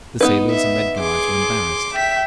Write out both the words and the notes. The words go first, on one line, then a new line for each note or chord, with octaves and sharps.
The sailors and Red Guards were embarrassed.
B3 D#4 B4
E5
G#4 C6 D6
E5 G5 B6